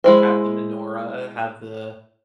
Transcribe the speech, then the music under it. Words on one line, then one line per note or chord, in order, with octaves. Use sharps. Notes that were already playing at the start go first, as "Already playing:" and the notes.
Have the menorah, have the
G#3 E4 C5